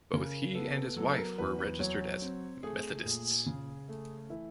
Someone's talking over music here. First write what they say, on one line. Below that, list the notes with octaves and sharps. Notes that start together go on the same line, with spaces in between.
Both he and his wife were registered as Methodists.
C#3 A#4
B3 A4
F#3 A4
A4
A#4
E2 B4
B4
F#3 C#5
C4
A3 G#4
A#2
C#3
A3
E3 E4